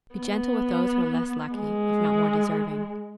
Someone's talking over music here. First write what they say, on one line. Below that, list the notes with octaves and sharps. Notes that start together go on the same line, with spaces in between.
Be gentle with those who are less lucky, if not more deserving.
B3
G#3